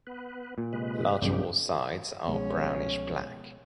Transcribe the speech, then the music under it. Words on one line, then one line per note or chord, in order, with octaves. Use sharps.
Lateral sides are brownish black.
B3 B4
A#2
C3 G#3 B4
F1 B1 G2 C#3 G3 G4
C2 B2 F3 G#3 C#4